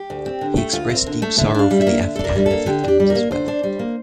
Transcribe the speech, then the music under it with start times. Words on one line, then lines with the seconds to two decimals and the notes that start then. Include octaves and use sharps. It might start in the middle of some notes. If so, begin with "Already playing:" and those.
He expressed deep sorrow for the Afghan victims as well.
Already playing: G4
0.10 D2
0.26 C4
0.41 D3
0.57 A3
0.73 D2 F4
0.89 C4 C5
0.96 A#4
1.06 D3
1.22 A3
1.38 D3 E5
1.54 D4 F5
1.71 G3
1.81 E5
1.87 A#3
2.02 D3
2.16 A4
2.19 D4 A#4
2.35 G3
2.46 A#3 A4
2.66 D3 G4
2.84 D4 G4
3.00 G3
3.10 A#4
3.15 A#3
3.31 D3 C5
3.48 D4
3.63 G3
3.79 A#3